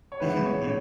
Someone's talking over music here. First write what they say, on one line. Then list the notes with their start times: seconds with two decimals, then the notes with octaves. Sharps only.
Mhm. Mhm.
0.12 C#5
0.20 C#2 C#3 E3 B3 B4
0.46 C#5
0.63 C#5